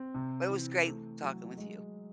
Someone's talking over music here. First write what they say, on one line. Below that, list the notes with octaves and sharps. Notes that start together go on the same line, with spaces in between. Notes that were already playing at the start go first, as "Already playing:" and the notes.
but it was great talking with you.
Already playing: C4
C3
E3
A3
F#3
G#3